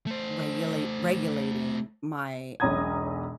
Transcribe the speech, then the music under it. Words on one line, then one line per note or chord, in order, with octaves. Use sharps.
regulate regulating my
A3 C5
E1 B1 C#4 A#5 D#6 G#6